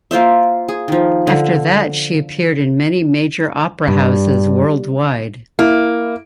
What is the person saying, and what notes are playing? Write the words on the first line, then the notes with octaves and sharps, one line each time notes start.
After that she appeared in many major opera houses worldwide.
A#3 F4 C5 E5
G#4
D#3 F3
D3
G2
A#3 E4